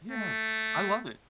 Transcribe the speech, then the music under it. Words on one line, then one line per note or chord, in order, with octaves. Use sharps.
Yeah, I love it.
A3